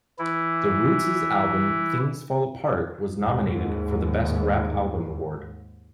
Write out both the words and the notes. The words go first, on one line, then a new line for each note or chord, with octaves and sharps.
The Roots' album "Things Fall Apart" was nominated for the Best Rap Album award.
E3 E4
D#2 G#2